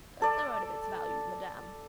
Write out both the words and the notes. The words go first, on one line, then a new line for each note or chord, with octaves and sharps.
"A third of its value, madame."
A4 D5